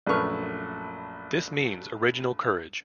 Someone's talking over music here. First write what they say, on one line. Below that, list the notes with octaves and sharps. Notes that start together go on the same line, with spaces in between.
This means original courage.
A#1 F#2 A3 B4 C#6 F6